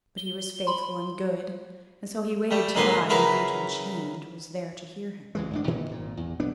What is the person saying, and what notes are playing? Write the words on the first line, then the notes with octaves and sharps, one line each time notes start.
But he was faithful and good, and so he waited till I, mute and chained, was there to hear him.
G7
B5 C6
G3 A3
G#2 D3 A#3 B4 C6
C#3 F#3 E4 A#4 B4
C#2 E3 G#3
G#1 D2 D4
G2 A#2 D#3 E3
G#1 A#2
E2
B1 B3 D4